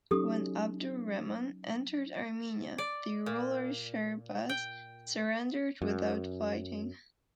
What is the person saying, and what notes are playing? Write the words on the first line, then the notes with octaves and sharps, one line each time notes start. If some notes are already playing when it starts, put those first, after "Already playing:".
When 'Abdur Rehman entered Armenia, the ruler Shehrbaz surrendered without fighting.
F#3 C#4 D#4 G4 A4 D#6
D5
A#2
G5
F#2